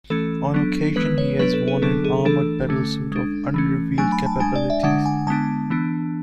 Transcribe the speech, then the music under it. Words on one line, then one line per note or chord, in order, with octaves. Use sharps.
On occasion, he has worn an armored battlesuit of unrevealed capabilities.
E3 A3 C#4 A4
F#3 B3 D4
E3 G#3 B3 B4
C#5
F#3 B3 D4 B4
A4
G#4
D3 F#3 B3 D4 A4
G#4
E3 A3 D4 A4
D3 A3 C#4
G#3 D4
E3 A3 C#4
F#3 A3 D4 G#5
B5
A5
G#3 D4 G#5
D5
E5
D3 G#3 D4 F#5
G#5
D3 G#3 B3 D4 A5
E3 B3 D4